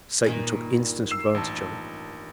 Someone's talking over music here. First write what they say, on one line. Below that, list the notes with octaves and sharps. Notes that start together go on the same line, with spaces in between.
Satan took instant advantage of it.
G2 A#2 D#3
E6 C7 E7
A1 A5